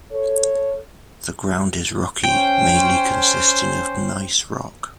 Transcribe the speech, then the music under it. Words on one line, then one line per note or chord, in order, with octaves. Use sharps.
The ground is rocky, mainly consisting of gneiss rock.
A4 C#5
C#4 C5 G5